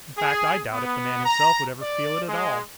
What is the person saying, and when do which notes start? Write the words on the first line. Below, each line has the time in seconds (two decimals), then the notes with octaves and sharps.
In fact, I doubt if the man himself would ever feel it, at all.
0.18 G#4
0.73 B3
1.26 A#5
1.82 D5
2.29 G#3